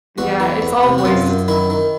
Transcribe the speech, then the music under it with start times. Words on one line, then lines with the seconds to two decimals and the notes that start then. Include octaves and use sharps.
Yeah, it's all voice.
0.18 E2 F#4
0.40 E3
0.62 E2
0.83 C3
0.98 F#4
1.05 F#2 F4
1.27 F#2
1.48 D#3 E4
1.70 D#3